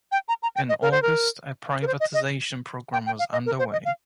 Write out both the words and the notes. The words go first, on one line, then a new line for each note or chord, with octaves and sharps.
In August, a privatization program was underway.
G5
A#5
A#5
G5
D#5
A#4
C5
A#4
A#4
C5
D#5
D#5
G5
G5
F5
D#5
A#4
C5
D#5
F5